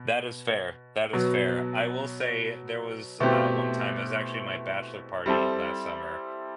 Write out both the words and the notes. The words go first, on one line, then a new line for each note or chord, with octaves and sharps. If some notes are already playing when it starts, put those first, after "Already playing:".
That is fair that is fair, I will say there was, uh, one time, it was actually my bachelor party last summer,
Already playing: B2
B2 F#3 B3
B2 A3 C4 E4 G4
G3 C4 E4 A4